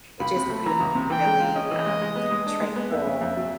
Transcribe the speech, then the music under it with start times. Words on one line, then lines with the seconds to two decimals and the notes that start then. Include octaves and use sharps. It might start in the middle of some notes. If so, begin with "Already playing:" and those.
It just creates really, um, tranquil,
0.20 C#2 B5
0.36 C3
0.50 A3
0.66 E3 A#5
0.80 C#2
0.95 C3
1.10 E3 G5
1.25 G#3
1.40 F4
1.56 C#4 D#5
1.71 E3
1.86 G#3
2.02 G#3
2.15 B3
2.31 G#3
2.46 D4
2.61 G#3
2.76 B3
2.91 F2 E5
3.07 C#3
3.21 F2
3.37 F#3